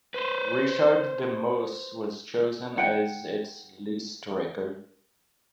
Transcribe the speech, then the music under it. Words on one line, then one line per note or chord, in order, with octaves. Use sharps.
Richard de Mos was chosen as its "lijsttrekker".
B4 C5
F#5 G5